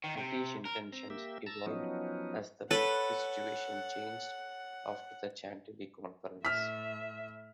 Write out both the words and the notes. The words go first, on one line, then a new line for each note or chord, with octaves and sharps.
British intentions evolved as the military situation changed after the Chantilly Conference.
D#3
C3
A#4
C4 A#5
A#3 G4 E5
A5 A#5 E6
F3 F#3 B3 C#4 D#4
A4 B4 C#5 F#5
A2 E5 F6 B6